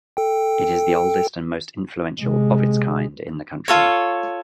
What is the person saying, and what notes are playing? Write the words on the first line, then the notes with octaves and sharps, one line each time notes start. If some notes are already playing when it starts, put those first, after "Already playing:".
It is the oldest and most influential of its kind in the country.
A4 G5
C3 G#3
F4 A4 C#5